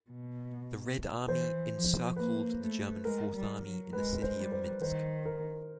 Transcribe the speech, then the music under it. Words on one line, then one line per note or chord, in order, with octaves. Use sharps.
The Red Army encircled the German Fourth Army in the city of Minsk.
B2
E3 C5
F3
A#3 B4
A3
G#3 A#4
G3
F#3
G#3 B4
C5
G3
C5
D#3 C5
A#4